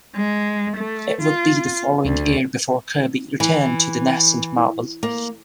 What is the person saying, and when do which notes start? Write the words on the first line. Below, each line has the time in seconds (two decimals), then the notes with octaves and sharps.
It would be the following year before Kirby returned to the nascent Marvel.
0.16 G#3
0.78 A3
1.22 F4
2.04 D2
3.40 E3
5.03 A#3